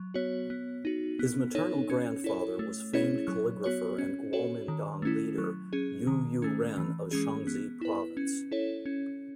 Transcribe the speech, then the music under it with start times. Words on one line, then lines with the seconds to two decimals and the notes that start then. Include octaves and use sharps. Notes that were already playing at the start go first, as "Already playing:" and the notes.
His maternal grandfather was famed calligrapher and Kuomingtang leader Yu You-ren of Shaanxi Province.
Already playing: F#3
0.14 B3 F#4 C#5
0.50 B3
0.85 D#4 F#4
1.19 B3
1.55 D#4 A4 C#5
1.90 C#4
2.24 E4 A4 C#5
2.59 A3
2.93 C#4 E4 G#4 C#5
3.28 F#3
3.64 B3 F#4 C#5
3.98 C#4
4.33 F#4 A4 C#5
4.68 D#3
5.02 A3 C#4 E4
5.38 F#3
5.73 C#4 G#4
6.07 D#3
6.42 A3 C#4
6.78 E3
7.11 G#3 C#4 G#4
7.47 B3
7.81 E4 B4
8.17 C#4
8.51 E4 A4 C#5
8.86 C#4